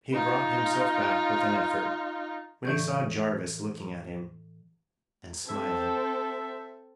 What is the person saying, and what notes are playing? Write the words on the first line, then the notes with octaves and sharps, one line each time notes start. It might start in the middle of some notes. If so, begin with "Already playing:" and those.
He brought himself back with an effort, when he saw Jarvis looking at him and smiling.
D#4 F4
A2 E3 D5 C#6 G6
C4 A4 E5